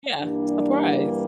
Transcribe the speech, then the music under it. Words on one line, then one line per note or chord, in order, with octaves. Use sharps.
Yeah, surprise.
G2 E3 G3 A#3 D4